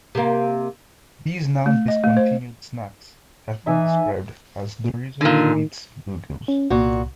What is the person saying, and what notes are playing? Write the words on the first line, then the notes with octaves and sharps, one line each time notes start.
These now discontinued snacks have been described as "Doritos-meets-Bugles".
C3 A#3
A3
D#5
A3
C5
E3 D#4 E5 G#5
A#2 D3 D#3
C#4
C2 A#2 F#4